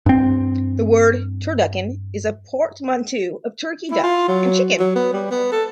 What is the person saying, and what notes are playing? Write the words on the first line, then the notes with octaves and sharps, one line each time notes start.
The word "turducken" is a portmanteau of "turkey", "duck", and "chicken".
G2 C4
E4
F4
F#3
F#3
B3
G3
B3
A4